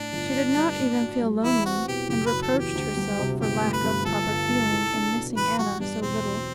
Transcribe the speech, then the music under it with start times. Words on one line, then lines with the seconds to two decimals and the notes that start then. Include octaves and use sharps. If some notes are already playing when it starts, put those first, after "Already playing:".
She did not even feel lonely, and reproached herself for lack of proper feeling in missing Anna so little.
Already playing: A2 D4
0.13 G1
0.35 B3
0.57 G2
0.79 A2
1.01 F#4
1.22 G3
1.44 E2 E4
1.66 C4 F#4
1.88 B2 G4
2.09 F#1 G4
2.26 F#3 B4
2.42 A4
2.53 E2
2.59 G4
2.75 D2
2.97 G3
3.19 C3
3.40 G1 G4
3.63 A3
3.73 B4
3.84 G2
4.06 G1 A4
4.27 G1
4.49 G2
4.71 C2
4.94 D4
5.15 B2
5.36 A1 B4
5.59 G3 F#4
5.80 G2 D4
6.02 E1 C4
6.24 F#3